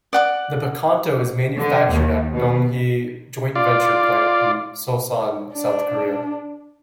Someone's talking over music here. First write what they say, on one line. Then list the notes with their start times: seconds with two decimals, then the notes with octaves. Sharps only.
The Picanto is manufactured at the Donghee joint-venture plant in Seosan, South Korea.
0.13 D5 F#5 D6
1.59 D3
1.92 D#2
2.33 B2
3.55 F4 D5
5.54 D4